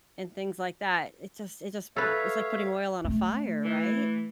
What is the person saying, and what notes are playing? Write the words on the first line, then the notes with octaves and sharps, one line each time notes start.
and things like that, it just it just it's like putting oil on a fire, right?
A4 B4 C#5 E5 F5
A3
E3